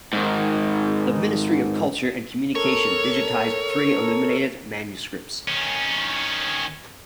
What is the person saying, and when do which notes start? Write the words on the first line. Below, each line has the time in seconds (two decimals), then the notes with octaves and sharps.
The Ministry of Culture and Communication digitized three illuminated manuscripts.
0.13 G#2 D#3
2.55 A4 A#4 C#5
5.48 D#3 C#4